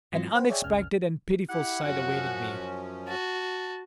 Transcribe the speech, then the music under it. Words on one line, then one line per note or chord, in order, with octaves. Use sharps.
An unexpected and pitiful sight awaited me.
G#2 E3 F#3 C4 F4 A#6
B4 C5 F#5 G5
G#4 C#5 D5 E5 G5 G#5
G1 C#2 C#3 F6
E4 G4 F#5
F#2 F3 C#4 F#4
F#4 A5